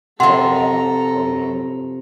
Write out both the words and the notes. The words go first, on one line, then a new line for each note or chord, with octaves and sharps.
Oh wow. Oh no.
C3 F3 A4 F#5 A#5 C6